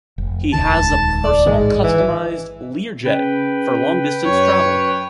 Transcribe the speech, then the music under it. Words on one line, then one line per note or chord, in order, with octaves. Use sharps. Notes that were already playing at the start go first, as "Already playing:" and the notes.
He has a personal customized Lear jet for long-distance travel.
F1
D#1 C#2 D#3 A5
D5
A1 G#2 D#3 G#3
E3
C#3 B4 G5
F#2 C#5